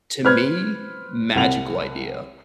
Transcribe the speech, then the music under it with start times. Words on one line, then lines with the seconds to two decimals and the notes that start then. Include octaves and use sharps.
to me, magical idea,
0.25 B4 C5 F6 F#6 G#6
1.35 C2 F#5 F7 F#7